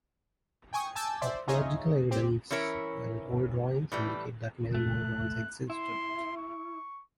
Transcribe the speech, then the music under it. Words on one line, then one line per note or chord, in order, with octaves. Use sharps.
Archaeological evidence and old drawings indicate that many more once existed.
G5 G#5 C#6 D#6
G#5 A5 D6 E6 G6 A6
C5 D5 E5
D#4 F4 G#4 C#5 D#5 E5
C4 G4
E3 C#4 E4 A#4 C#5
A2 E3 G3
A3 F#6
E4 C6
C#6